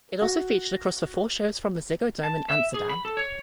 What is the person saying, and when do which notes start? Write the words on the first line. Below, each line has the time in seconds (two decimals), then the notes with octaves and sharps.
It also featured across the four shows from the Ziggo Dome in Amsterdam.
0.22 F#4
2.23 A5
2.49 E5
2.74 G#4
2.89 B5
3.05 A4
3.17 C#5